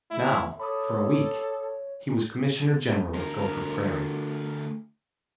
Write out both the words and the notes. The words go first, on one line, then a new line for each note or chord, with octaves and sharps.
Now, for a week, he was commissioner general of Gopher Prairie.
A3 E4 E5
A4 C#5 B5 D6 D#6
D2 A#4